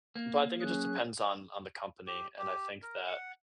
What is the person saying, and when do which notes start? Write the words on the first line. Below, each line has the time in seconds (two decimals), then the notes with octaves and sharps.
but I think it just depends on on the company and I think that
0.16 A#3
0.60 F#3 C#4 G#4 F#6
2.07 G4
2.39 G4
2.83 A#4
3.07 F#5